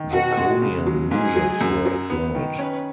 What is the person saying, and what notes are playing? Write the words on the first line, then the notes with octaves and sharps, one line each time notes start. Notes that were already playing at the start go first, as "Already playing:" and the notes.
Draconian measures were applied.
Already playing: D#3
B2 F#4
G#3
C#3
F#3
G#2 G#4
F#3
F#2
F#3
B3
D#3
C#4 B4